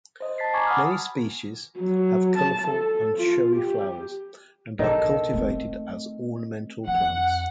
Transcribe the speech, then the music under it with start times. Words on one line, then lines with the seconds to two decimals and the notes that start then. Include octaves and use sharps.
Many species have colorful and showy flowers and are cultivated as ornamental plants.
0.20 C5 D#5
0.38 A5 A6 B6 C7
0.53 G#5 A#5 C#6 D6 G#6
0.67 F#5 B5 D6 D#6 F6
1.79 F#3
2.38 A5
2.68 A4
3.18 F4
3.55 G4
4.79 B1 D#3 A4
5.33 A3 C4
6.88 F2 F#5